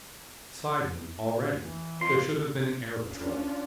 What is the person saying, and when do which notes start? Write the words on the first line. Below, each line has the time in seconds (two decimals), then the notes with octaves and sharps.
Beside him, already, there should have been an air patrol.
1.58 E3
2.01 F2 F4 C6
3.03 C#4 D4 F4